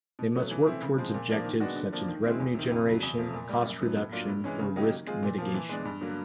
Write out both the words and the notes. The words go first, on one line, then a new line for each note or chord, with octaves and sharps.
They must work towards objectives such as revenue generation, cost reduction, or risk mitigation.
B2
F#3 A3 C#4
E3
A3 C4 E4
C#3
F3 G#3 C4
A#2
F3 A#3 D4
D#3
G#3 B3 D4 F#4
D3
F3 A#3 D4
D#3
G#3 C4 E4
E2
C3 D#3
F2
C#3 F#3
E2
C3 F3 A3
A#2
G3 A#3
F#2
D3 F#3 B3
A2
F#3 A#3 D4 F4
G2
E3 G#3 C#4
C#3
F#3 A#3 D#4 G4
D#3
G#3 C4 F4 G#4
A#2
F3 A#3
E3
G#3 B3 D4
G2
D3 F#3 A#3